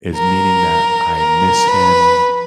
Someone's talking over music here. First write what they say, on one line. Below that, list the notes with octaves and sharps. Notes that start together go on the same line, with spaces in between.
is meaning that I miss him,
A#4
A#4
B4